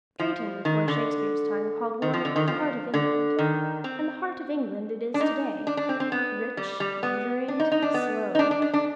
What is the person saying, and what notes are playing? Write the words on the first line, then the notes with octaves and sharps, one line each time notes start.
Drayton before Shakespeare's time called Warwick "the heart of England," and the heart of England it is today--rich, luxuriant, slow.
F3
D#3
D3
D#3
F3
D3
D#3
F3
D3
D#3
C4
D4
D#4
D4
D4
C4
C4
B3
G3
G3
B3
D4
D#4
D#4
D4
B3
D#4
D4
D4
D4
D4